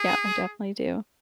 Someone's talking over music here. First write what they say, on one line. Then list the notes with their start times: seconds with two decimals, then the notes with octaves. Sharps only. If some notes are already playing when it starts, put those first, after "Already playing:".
Yep, I definitely do.
Already playing: G#4